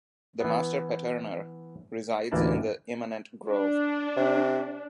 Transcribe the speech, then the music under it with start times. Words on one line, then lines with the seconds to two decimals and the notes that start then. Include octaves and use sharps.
The Master Patterner resides in the Immanent Grove.
0.40 E3 B3
2.31 A1 D2 E3 A#3 D5 A5
3.50 D4
4.16 C3